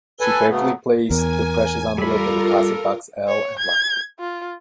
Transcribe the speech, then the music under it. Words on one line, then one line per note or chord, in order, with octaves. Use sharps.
She carefully placed the precious envelope in deposit box L and locked it.
A4 B4 G#5
C#3 F#3 A3 B3
E2 A#4 G#5
G3 F4 A4 A#4 B5
C#5
G#6
F4